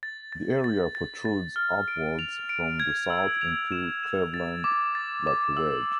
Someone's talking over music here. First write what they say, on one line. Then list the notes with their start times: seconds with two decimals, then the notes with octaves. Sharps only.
The area protrudes outwards from the south into Cleveland like a wedge.
0.03 A6
0.33 A6
0.64 A6
0.95 A6
1.25 A6
1.56 F6
1.88 D7
2.19 F7
2.49 D7
2.80 G#6
3.10 E6
3.41 F7
3.72 E7
4.03 E7
4.34 A6
4.64 D6
4.95 A6
5.27 D6
5.57 E6